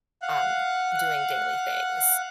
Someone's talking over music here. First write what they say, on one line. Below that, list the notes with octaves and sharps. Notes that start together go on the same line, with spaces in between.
um, doing daily things.
F5 F#5 F#6